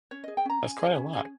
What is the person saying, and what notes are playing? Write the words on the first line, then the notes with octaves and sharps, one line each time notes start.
That's quite a lot.
C#4 C#5
G#4 D#5
G5
C#4 A#5
C#4 G#5
G#4
C#4
G#4